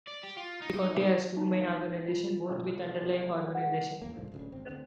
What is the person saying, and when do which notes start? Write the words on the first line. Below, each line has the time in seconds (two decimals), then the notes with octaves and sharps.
Every county has two main organisations, both with underlying organisations.
0.07 D5
0.23 G4
0.37 F4
0.61 D#4
1.37 D#4
2.08 F4
3.55 F#5
4.02 A1 E2 A#3
4.16 B1 G#2 D3 F3
4.32 D1 D2 C#3
4.52 G#1 C4
4.68 D2 D3 C4